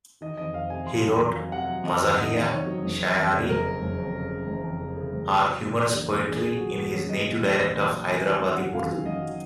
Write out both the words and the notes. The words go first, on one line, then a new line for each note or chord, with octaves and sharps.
He wrote "mazahiya shayari" or humorous poetry in his native dialect of Hyderabadi Urdu.
D#3 D#5
F2 D#5
F2 F5
C3 G#5
F2 C6
F#3
F2 A#5
F#3
C3 F#5
F#3
F2 D#5
D#3
C3 D#5
D#3
D#3 C#5
F#3
F#1
F2
F2
C#3
F#1 A#4
C#3
F#1
F2
C#3
C#3
F#1
F2
C#3
C#3
F#1
F#1
F#3
A#2
A#2
A#1
A#1 G#4
A#1 G#4
A#2
F#4
F#3
F#3 F#4
A#1 C#5
F#3 D#5
A#2
A#1 D#5
A#1
A#1
F#3
F#3 G#5
D#3
G#5
F#2
F#5
F#3
F#1 F5
D#3
F#2 D#5
F#3